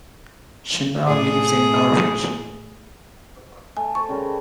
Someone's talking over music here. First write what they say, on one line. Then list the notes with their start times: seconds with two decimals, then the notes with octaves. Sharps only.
She now lives in Norwich.
1.07 A2 G#4
3.77 A3 G#5
3.95 C5 A5 A#5 C#6
4.08 C#3 G3 A#4